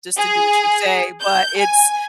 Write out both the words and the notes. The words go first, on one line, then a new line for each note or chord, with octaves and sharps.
just to do what you say, but, it's
G#4
G6
G#5